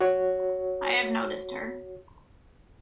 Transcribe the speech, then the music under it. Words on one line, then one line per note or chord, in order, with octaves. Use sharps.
I have noticed her.
F#4 C#5